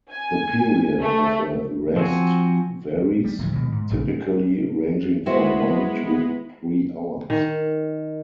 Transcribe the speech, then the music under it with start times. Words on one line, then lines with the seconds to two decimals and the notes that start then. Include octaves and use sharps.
The period of a "rest" varies, typically ranging from one to three hours.
0.11 G#5
1.01 A3
1.96 F3 C4 F#4 G#5
3.24 G3
3.38 D1 D3 F3 F#3
3.53 B2 D#3 E3 G#3
3.72 G#2
3.90 A#1 G2 C#3
5.26 G#3 B3 E4 F#4 C5 B5
7.30 D#3